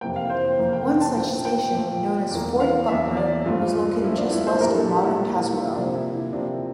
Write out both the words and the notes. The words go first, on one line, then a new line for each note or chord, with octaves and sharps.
One such station, known as Fort Butler, was located just west of modern Tazewell.
F2 C3 E3 A#3 G5
F5
C5
C5
F2 C3 E3 A#3
G5
G5
A5
A#2 F3 A3 G5
G5
A#2 F3 A3
E2 E3 A#3
F5
E2 E3 A#3 E5
D5
G2 F3 A3 F4
G2 F3 A3 E4
D4
E4
C5
A#2 G3 A#3 A#4
A4
G4
E4
A#2 G3 A#3
C3 F3 A#3 D4
E4
E4
C3 F3 A#3 D4